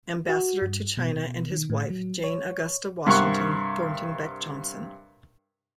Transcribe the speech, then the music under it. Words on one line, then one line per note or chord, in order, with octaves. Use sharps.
Ambassador to China and his wife Jane Augusta Washington Thornton Beck Johnson.
F#4
G2
B2
B2
D#3
A2
F#3
C#5
G2 C3 A#4 F#5 C#6